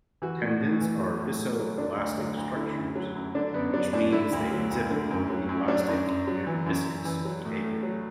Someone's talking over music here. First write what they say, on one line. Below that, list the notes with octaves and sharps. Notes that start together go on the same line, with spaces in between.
Tendons are viscoelastic structures, which means they exhibit both elastic and viscous behaviour.
E3 F#4
A2
A2
E3
F#3
A2
A2
F#3
D3 D4
D2
F#3
D2
D3 E4
F#2
F#3
F#2
D3 D4
F#2 B3
F#3 D4
F#2 D4
D3 E4
D2
F#3
D2
D3
F#2
F#3
F#2
F#3 D4
F#2
F#2
F#3
E3
F#2
F#2
E3
F#3
A2
A2
F#3